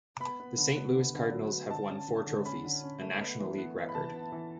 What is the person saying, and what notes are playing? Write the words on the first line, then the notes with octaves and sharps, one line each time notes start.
The Saint Louis Cardinals have won four trophies, a National League record.
B3 B5
B3
D3
B3
D3
D3
F#3
B3
D3 A5
C#4
D3
D3
C#4 B5
D3
C#4
A3
B3
E3
B3
E3
B5
E3 A5
B3
E3